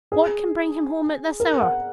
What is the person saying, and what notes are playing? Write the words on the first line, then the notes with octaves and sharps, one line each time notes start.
What can bring him home at this hour?
G#4
A#4
F#5